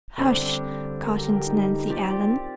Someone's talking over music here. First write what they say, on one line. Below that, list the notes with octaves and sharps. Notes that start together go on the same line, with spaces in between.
"Hush!" cautioned Nancy Ellen.
D3 G3 C4 D4
A#4
G4
G4
D#4
D#4
C4 F4 G4 D5